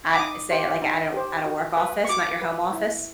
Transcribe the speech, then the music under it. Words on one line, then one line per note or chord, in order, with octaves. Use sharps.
at, say like, at a at a work office, not your home office?
D6
D#4 D#6
G4 C5
D#4
G4 C5
F#4
B4
C#6
F#4 D6
B4
E4